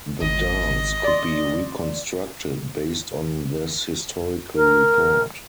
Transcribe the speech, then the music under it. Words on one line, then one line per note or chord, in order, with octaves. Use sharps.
The dance could be reconstructed based on this historical report.
G#1 D#5
D5 C6
A#4